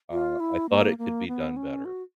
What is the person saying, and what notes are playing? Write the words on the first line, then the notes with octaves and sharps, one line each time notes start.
Uh, I thought it could be done better.
F4
E4
A#3
A#3
B3
C#4
F#4